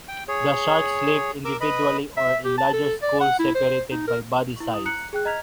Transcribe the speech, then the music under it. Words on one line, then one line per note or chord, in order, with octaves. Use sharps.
The sharks live individually or in larger schools separated by body size.
G5
G#4 C#5
A#4 D6 E6
B4 D#5 B5
E5
G4
A5
A4
D5
F#5
E4
C5
D#4
A#4
E4 C#6
E4 D#6 F#7
A#5 F#6 C#7 F#7
G#4 G5 F#6
D#5 A#5 F6 G#6 B6 F7